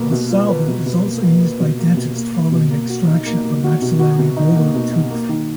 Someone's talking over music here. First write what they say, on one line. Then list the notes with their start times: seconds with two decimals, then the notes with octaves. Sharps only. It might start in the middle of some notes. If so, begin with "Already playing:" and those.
Valsalva is also used by dentists following extraction of a maxillary molar tooth.
Already playing: B2 A#3 B4
0.11 B2
0.30 F4
0.49 B4
0.68 B2
0.86 B2
1.04 A#3
1.23 A#3
1.41 A#3
1.60 B2
1.79 A#3
1.96 B2
2.16 A#3
2.33 A#3
2.52 B2
2.71 A#3
2.89 F#4
3.07 D#4
3.26 A#3
3.44 A#3
3.64 F#4
3.82 B2
3.99 F#4
4.19 B2
4.37 D#4
4.55 A#3
4.74 B2
4.93 D#4
5.11 A#3
5.29 D#3